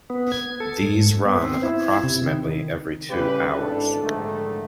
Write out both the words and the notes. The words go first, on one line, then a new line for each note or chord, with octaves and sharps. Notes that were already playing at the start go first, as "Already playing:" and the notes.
These run approximately every two hours.
B3
G#6
A4
G#2
B3
C4
E4
C3
D#3
A1 C#3 E3 G3 G4 B4
G#1 D4 E4 A4
A#1 G#2 D3 D#3 A3